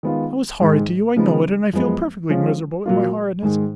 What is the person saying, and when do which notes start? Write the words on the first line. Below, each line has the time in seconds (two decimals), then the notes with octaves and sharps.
I was horrid to you; I know it, and I feel perfectly miserable at my horridness.
0.03 D#3 G#3 B3 F4
0.60 G#2 D#3 G#3
1.16 C#3 F3 G#3 B3 D#4
1.73 F#2 F3 G#3 B3
2.30 F3 G#3 C#4 F4
2.86 A#2 F#3 A#3 F4
3.42 G#2 D#3 G#3